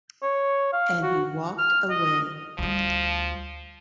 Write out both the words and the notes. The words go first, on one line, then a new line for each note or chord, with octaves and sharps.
And he walked away.
C#5
F5
F#4
F6
D#5
D2 F3 G3